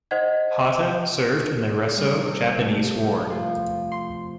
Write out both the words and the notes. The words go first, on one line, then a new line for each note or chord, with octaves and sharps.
Hata served in the Russo-Japanese War.
C5 D#5 F#5 G#6
G3
C3
A3
G4
F3
C6